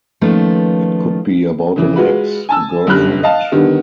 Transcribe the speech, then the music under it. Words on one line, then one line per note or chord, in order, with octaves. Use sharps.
It could be about an ex-girlfriend.
D#3 F3 A3 A#3 C#4 B4
C#3 E3
G#3 F4 F#4 B4
G#5 A5 E6
G1 F#2 D3 G3 B5 F#6
D#5 F5 A5
D3 D#3 G3 B3